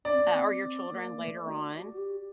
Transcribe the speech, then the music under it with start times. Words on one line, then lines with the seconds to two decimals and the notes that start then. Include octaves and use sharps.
uh, or your children later on.
0.05 D4 D5
0.14 C4
0.23 A#3
0.34 C4
0.91 A#3
1.19 A3
1.48 F#4
1.76 F#4
1.94 F#4
1.98 G4